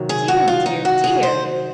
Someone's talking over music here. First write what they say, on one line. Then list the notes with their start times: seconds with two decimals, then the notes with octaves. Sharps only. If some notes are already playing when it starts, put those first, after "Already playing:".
"Dear, dear, dear!"
Already playing: C3 D#3 F#3
0.09 G#4
0.28 F#4
0.48 F4
0.66 D#4
0.85 F#4
1.04 G#4
1.23 C5